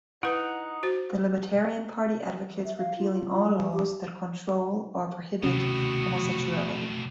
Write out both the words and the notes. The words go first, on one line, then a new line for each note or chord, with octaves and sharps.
The Libertarian Party advocates repealing all laws that control or prohibit homosexuality.
D#4 E4 B4 F#5
F#4 C5
E3
E5
F5
F4
F4
F4
G3
G4
B1 A2 C3 D#3 C#4 F#4 D#6